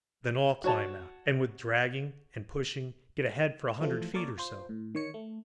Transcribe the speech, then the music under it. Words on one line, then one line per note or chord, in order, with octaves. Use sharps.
Then all climb out, and with dragging and pushing get ahead for a hundred feet or so.
F#4 C#5 A5
E3 F3 A3 F4 A4
A#3 A4 A#4 C#5 D5
F4 C5
A2
D#3 C#5 C#7
A3